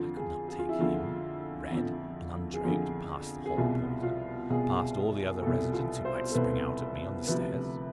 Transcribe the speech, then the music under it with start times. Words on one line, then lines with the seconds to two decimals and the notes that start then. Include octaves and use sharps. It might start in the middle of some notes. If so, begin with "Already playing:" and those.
I could not take him, red and undraped, past the hall-porter, past all the other residents who might spring out at me on the stairs.
Already playing: F2 D3 F3 F4
0.17 G#4
0.48 G#4
0.59 F4
0.69 E4
0.79 F2 D3 F3 F4
1.71 F2 D3 F3
2.54 G#4
2.64 F2 D3 F3 F4
3.46 G#4
3.57 C2 B2 F4
4.03 F4
4.50 C2 B2 G#4
5.42 C2 B2 A4
5.73 F4
6.05 C5
6.31 A4
6.35 C2 B2 B4
7.28 D2 C3 F3 B4